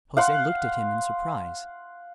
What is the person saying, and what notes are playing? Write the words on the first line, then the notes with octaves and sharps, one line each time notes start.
Jose looked at him in surprise.
F5 F#5 C6